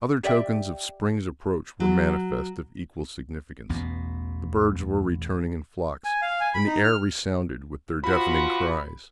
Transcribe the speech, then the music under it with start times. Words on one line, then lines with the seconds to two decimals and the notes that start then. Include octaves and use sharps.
Other tokens of spring's approach were manifest of equal significance, the birds were returning in flocks, and the air resounded with their deafening cries.
0.23 G4 D5 E5 G5
1.80 F#3
3.69 A1 E2 B2 B3
6.05 G#5
6.22 F5
6.40 G#5
6.54 B5
6.66 D#4
6.83 F6
8.04 F3 F4 F#4 B5